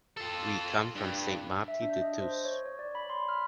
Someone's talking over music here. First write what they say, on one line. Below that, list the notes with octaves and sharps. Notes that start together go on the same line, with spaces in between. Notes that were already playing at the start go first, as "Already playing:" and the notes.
We come from Sant Martí de Tous.
F4 A4
G2
E5
D4
D#5
C5
C#5
C#5
D5
B5
C6
F6